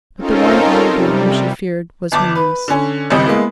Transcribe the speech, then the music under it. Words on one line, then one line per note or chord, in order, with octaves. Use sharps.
But the one auditor whom she feared was her niece.
C4 C#4 D#4 F4 A4 A#4
C3 G3
G1 A5 D6
B4
D3 C#4
G#1 C#2 G3 C4 G4 D#5
G#3 A#3 B3 E4